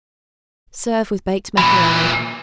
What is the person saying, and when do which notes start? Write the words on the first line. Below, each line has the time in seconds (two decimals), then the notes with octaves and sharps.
Serve with baked macaroni.
1.58 A#2 E3 B5